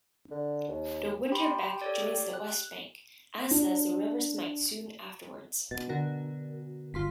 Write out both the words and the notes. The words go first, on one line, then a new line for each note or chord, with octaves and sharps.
The Winter Beck joins the west bank, as does the River Smite soon afterwards.
D3
D#2
G4 B5 C6
A4 C#5 D5
F#6
D4
B2 A6
D3 F#4 A#4
G1 F4 C6 B6